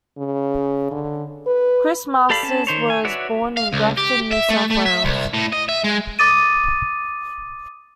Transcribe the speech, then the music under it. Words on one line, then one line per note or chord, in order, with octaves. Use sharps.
Chris Masters was born in Grafton, New South Wales.
C#3
D3
B4
G4 A4 D5 F5 B5
C#4 A5
D#3 C5 C#5
G#5
F#4 B4 C#5 D5 E5
F5
C#2
G4
E5
A3
A3
E5
C2
A2
D#5
E5
G#3
D6 D#6 A6 D#7